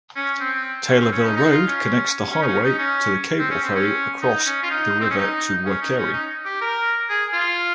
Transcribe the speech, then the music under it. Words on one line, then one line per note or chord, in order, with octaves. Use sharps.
Taylorville Road connects the highway to the cable ferry across the river to Waikerie.
C#4
C4
C#4
C4
C#4
D#4
D#4
F4
C#4
C#4
D#4
C#4
D#4
C#4
C4
C#4
C4
C#4
D#4
C#4
F4
D#4
C4
C#4
D#4
C#4
D#4
C#4
D#4
G4
A#4
G#4
F4